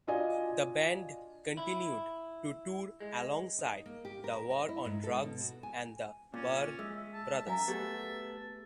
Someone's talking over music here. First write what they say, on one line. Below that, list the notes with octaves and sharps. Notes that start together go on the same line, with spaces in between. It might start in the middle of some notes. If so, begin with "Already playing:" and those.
The band continued to tour alongside The War on Drugs and The Barr Brothers.
D4 F4 F#4 D5 D#5 G#5
E4
G#3
D#4
A#3
G4
A#4
D#5
E4
G#2
A4
B2
F#4
G#5
A#2 C#4 D5
G#3 E5
A5
F#2 E5 F5 G#5 A#5
A3 B3 G4 G#4 D5 A5